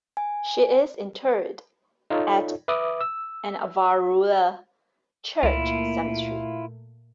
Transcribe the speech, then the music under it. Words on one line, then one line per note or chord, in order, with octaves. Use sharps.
She is interred at an Avarua church cemetery.
G#5
D#4 F4 A4 C#5
B4 E5 D6 D#6
E6
C#2 A#2 A3 A#3 E4 F4